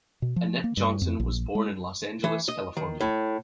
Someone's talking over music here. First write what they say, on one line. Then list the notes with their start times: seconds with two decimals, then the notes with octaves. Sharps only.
Annette Johnson was born in Los Angeles, California.
0.22 B2
0.36 F3
0.64 A#3
0.77 G2
1.02 F2
1.20 A#1
1.55 G#3
2.24 E3
2.48 D#5
2.77 D#3
3.01 A2